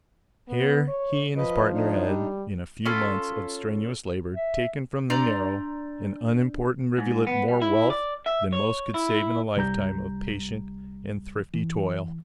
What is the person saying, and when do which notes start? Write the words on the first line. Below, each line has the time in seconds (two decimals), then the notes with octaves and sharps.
Here he and his partner had in a few months of strenuous labor taken from the narrow and unimportant rivulet more wealth than most could save in a lifetime of patient and thrifty toil.
0.49 B3
0.88 C#5
1.37 F3 B4 D#5
1.73 D4 D#4
2.06 G3
2.85 C#4 F4 A4 B5
4.35 E5
5.10 D4 D5 A#5 C6
6.98 G#2
7.27 B3
7.48 G3
7.62 E4
7.90 D5
8.26 E5
8.53 C#5
8.94 E4
9.57 C2 G3 A#5 G6
11.54 E3